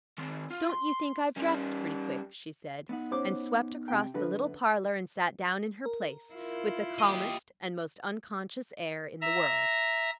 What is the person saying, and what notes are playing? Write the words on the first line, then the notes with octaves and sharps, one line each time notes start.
"Don't you think I've dressed pretty quick?" she said, and swept across the little parlor, and sat down in her place, with the calmest and most unconscious air in the world.
D#3 C4
F4
C6
G3 C#4
B3 D#4 F#5
C#4 C5 D6
C3 G5
F#2 D3 B4
A#4
E4 F4
G4 D#5
E5 A#5